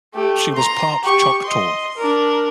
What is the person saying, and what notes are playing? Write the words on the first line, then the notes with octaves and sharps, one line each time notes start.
She was part Choctaw.
A3 G4
A#5 C6
G4 C#6
D#5 C6
D4 A#4